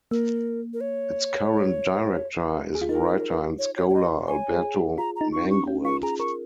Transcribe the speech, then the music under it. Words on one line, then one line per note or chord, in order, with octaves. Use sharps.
Its current director is writer and scholar Alberto Manguel.
A#3 A#4
A#4
C#5
G#4
F4
D#4 A#4
C#5
C#5
C#5
D#5
C#5 G#5
G#4
G#4
F4 A#5
D#4 A#5
C#6
C#4
C#6
C#4
F4 C#6
G#4 A#5
A#4 C#6